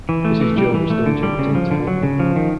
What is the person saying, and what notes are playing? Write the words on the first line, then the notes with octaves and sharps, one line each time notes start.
Mrs. Jones then jumped in to help them both.
E3
A3
E3
G3
E3
A3
D3
G3
C#3
F3
D3
F#3
C#3
F3
D#3